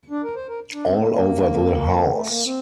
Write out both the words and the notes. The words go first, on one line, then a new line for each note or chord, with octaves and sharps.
All over the house!
D4
A#4
C5
A#4
D4
C4
A#3
A#3
A3
A#3
C4